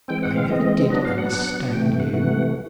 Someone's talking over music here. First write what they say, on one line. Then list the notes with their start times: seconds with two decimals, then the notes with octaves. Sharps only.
"I never did understand you."
0.08 E3 G#3 C4 G5
0.23 F#5
0.36 F5
0.49 E3 G#3 C4 D#5
0.90 F#3 B3 D4 D#5
1.05 F5
1.18 F#5
1.32 F#3 B3 D4
1.72 C3 E3 A3 G5
1.86 G5
2.00 F#5
2.13 C3 E3 A3 F#5